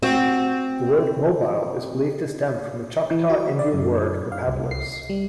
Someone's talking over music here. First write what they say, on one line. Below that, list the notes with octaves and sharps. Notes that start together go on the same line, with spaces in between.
The word "Mobile" is believed to stem from a Choctaw Indian word for "paddlers".
C4 F#4
E3
F#4
D5
F#2
F5
C2
C7
G3